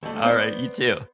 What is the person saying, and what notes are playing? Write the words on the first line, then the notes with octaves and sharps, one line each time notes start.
Alright, you too.
D2 A3
B3 C5 D5